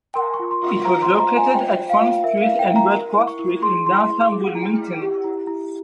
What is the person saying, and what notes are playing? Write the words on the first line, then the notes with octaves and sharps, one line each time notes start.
It was located at Front Street and Red Cross Street in downtown Wilmington.
A#4 C6
C#6
F4
C6
F4
C5 A#5
C6
C5
A#5
F4
G#5
C5 G5
C5
F5
F4
A#4 E5
F5
E4
G5
E4
A#5
A#4
E4
C#6
E4
G#4 C6
E4 C6
E4
G#4
E4
E4
G4
E4
E4